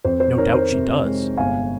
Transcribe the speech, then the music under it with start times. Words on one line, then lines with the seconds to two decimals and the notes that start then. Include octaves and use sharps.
No doubt she does.
0.04 F2 C5
0.20 C5
0.37 D#3 A#4 C#5
0.54 C5
0.72 C3
1.04 G#3
1.37 G1 F5 G#5